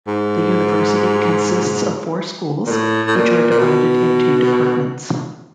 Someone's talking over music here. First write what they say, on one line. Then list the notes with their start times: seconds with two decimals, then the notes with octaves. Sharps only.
The university consists of four schools which are divided into departments.
0.07 G#2
2.67 A#2
2.71 A2
3.07 A2
3.16 A#2
3.51 A#2
3.59 B2